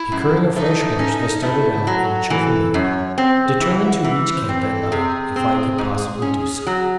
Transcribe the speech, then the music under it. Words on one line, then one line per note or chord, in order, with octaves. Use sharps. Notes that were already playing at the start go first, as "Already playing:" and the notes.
Procuring a fresh horse, I started out in a cheerful mood, determined to reach camp that night if I could possibly do so.
Already playing: E4
F#2
A3 D#4
C#4
A3 E4
E4
F#3
F#4
E3 A4
F#2 C#5
C4 C5
G#4
E3
F#5
E5
F#5
E3
C5
C4
C5
A4
C3 G#4
C4
G#2
C#4
F#3